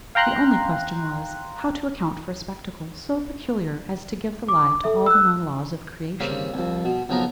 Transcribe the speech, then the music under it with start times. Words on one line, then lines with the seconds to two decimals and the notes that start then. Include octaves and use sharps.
The only question was, how to account for a spectacle so peculiar, as to give the lie to all the known laws of creation.
0.15 F5 G5 A#5 C6 F#6
4.48 D6
4.84 A4 E5
5.06 E6 F#6
6.20 C#3 G3 A#3 C4
6.54 C2 F2
6.85 B2
7.09 B1 C#3 F3 B3 A#4 A#5